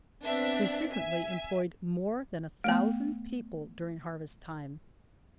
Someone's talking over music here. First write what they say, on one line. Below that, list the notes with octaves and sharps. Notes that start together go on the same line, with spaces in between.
We frequently employed more than a thousand people during harvest time.
B3 C4 D4 E5
E5 G#5
A3 B3